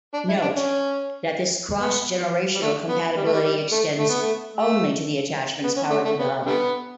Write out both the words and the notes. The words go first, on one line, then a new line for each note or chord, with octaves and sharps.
Note that this cross-generational compatibility extends only to attachments powered through the hub.
D4
E4
D4
C#4
B3
G3
A3
B3
G3
A3
G3
G3
A3
A3
B3
A3
A3
B3
C#4
A3
A3
B3
D3 G3 B3